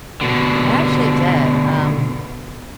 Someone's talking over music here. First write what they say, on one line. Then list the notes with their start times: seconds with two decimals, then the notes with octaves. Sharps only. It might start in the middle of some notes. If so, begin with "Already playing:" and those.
I actually did, um,
0.21 B2 D3